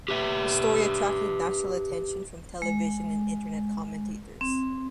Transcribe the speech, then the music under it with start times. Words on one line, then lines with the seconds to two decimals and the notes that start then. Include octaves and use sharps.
The story attracted national attention from television and internet commentators.
0.08 G4 B4 E5
2.62 G#3
4.41 C4